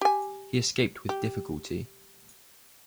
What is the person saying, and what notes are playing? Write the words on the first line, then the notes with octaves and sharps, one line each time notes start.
He escaped with difficulty.
G4 G#5
G4